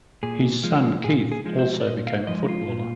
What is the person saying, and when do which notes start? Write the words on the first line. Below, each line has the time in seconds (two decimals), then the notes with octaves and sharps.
His son Keith also became a footballer.
0.23 A#2 G#4
0.63 F3 G#3
1.04 A#2 G#4
1.32 G#4
1.45 F3 G#3
1.59 C5
1.80 D5
1.86 A#2 D#5
2.07 F5
2.27 F3 G#3 D#5
2.43 D#4
2.48 F4
2.69 A#2